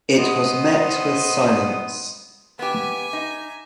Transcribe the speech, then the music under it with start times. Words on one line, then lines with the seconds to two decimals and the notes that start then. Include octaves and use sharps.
It was met with silence.
0.18 B3 C5 D#5
2.59 B3 G4 E5 G#5
3.13 D#4